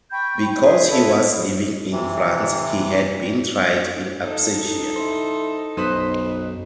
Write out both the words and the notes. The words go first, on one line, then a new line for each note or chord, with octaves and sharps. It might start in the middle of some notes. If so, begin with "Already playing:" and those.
Because he was living in France, he had been tried "in absentia".
G5 B5 C#6 G6
G#4 B4
E4 A4 B4
C3 E3
D#4 A4
E4 C5
B1 F#2 B4 C5 D#5